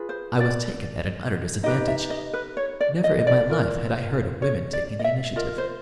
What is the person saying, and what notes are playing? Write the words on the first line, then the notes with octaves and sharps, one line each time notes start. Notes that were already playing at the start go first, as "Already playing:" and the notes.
I was taken at an utter disadvantage. Never in my life had I heard of women taking the initiative.
Already playing: F4 G#4 B4
C5
D5
D#4 G4 B4 D#5
E5
D#5
B4
C#5
D5
D#5
D#5
D5
F4 A#4
C#5
D5
D#5
E5
F4 A#4 D#5
C5